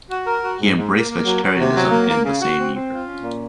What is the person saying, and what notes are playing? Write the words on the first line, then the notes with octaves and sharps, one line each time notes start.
He embraced vegetarianism in the same year.
F#4
A#4
F#4
G#2
G#2
A#3
A#3
F#3
F#3
C3
F#3
A#3
A#3
C#3
F#4
C4
C4
F4
C#4
A#2